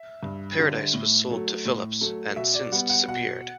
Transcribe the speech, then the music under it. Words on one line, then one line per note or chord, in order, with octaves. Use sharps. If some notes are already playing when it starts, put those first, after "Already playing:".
Paradise was sold to Philips, and since disappeared.
Already playing: E5
G2
D3 G3
A2
F#3 A3
A2
F#3 A3
B2 E5
D5
G3 B3 F#5
F#5
B2 F#5